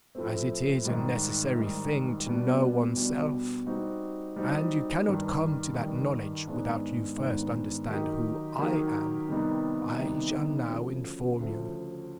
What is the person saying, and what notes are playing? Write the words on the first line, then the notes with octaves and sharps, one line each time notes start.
As it is a necessary thing to know one's self, and you cannot come to that knowledge without you first understand who I am, I shall now inform you.
A2 F3 A3 C4
G#2 D#3 G3
G#2 D#3 G3
B2 G3 B3 D4
B2 G3 B3 D4
G3 C4 D#4 F#4
G3 C4 D#4 F#4
G2 D#3 G3
G2 D#3 G3
G#2 D#3 G#3 B3 D4
G#2 D#3 G#3 B3 D4
D#3 F#3 A#3 D#4 G4
D#3 F#3 A#3 D#4 G4
C3 D#3 G3 B3 D#4
C3 D#3 G3 B3 D#4
D2 C#3 F3
D2 C#3 F3